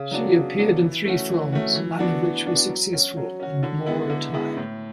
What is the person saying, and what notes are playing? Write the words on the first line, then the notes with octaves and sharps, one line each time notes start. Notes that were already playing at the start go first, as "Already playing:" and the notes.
She appeared in three films, none of which was successful, and Moore retired.
Already playing: C#3
F#3 B3 D4 F#4
C#3
F#3 B3 D4 F#4
E3
A3 C#4 F#4
E3
A3 C#4 F#4
E3
B3 D4 F#4
E3
B3 D4 F#4
F#3
C#4 F#4
F#3
C#4 F#4
D3
G#3 B3 E4
D3
G#3 B3 E4
A2